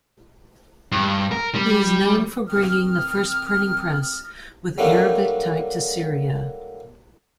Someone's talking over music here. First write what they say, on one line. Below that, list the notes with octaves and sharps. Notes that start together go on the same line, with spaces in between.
He is known for bringing the first printing press with Arabic type to Syria.
G2
A#4
G3
D#3 C4 D#6 F6
F#3 G3 A3 A#3 D4